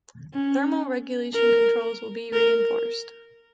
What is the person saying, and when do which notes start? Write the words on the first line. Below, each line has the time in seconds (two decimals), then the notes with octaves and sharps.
Thermal regulation controls will be reinforced.
0.34 C#4
1.34 A#4
2.33 A#4